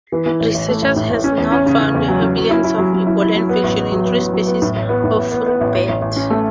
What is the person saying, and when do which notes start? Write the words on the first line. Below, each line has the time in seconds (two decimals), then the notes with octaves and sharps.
Researchers have now found evidence of Ebola infection in three species of fruit bat.
0.12 E3
0.26 E3
0.40 A1
0.54 A1
0.68 A3
0.82 A1
0.96 A2
1.10 A1
1.24 C#4
1.38 E2
1.52 C#4
1.66 C#3
1.80 C#3
1.95 E2
2.08 F#3
2.22 C#4
2.37 F#3
2.50 E4
2.64 E4
2.78 F#3
2.93 F#3
3.07 E4
3.22 E4
3.36 F#3
3.49 B3
3.64 A1
3.77 B3
3.92 F#3
4.06 B3
4.19 F#3
4.33 F#3
4.47 B3
4.62 A2
4.76 A1
4.89 B3
5.04 A2
5.17 A1
5.32 B3
5.47 B3
5.61 A1
5.74 A1
5.89 A1
6.02 A1
6.16 C#4
6.30 A3